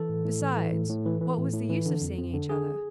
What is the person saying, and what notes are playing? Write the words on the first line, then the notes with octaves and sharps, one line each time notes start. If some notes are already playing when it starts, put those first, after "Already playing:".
Besides, what was the use of seeing each other?
Already playing: E3 A4
A2
A2
E3
E3
A2
A2
E3
E3
A2
A2
E3
D3
F2
F2
D3
D3 G#4